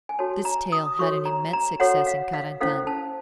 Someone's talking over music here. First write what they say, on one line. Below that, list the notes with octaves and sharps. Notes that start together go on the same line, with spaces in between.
This tale had an immense success in Carentan.
G#5
F#4 A4 C#5 A5
A#5
D#6
F#4 A4 C#5 C#6
A#5
A#5
F#4 A4 C#5 F#5
F5
F5
C#4 E4 A4 C5 F5
A5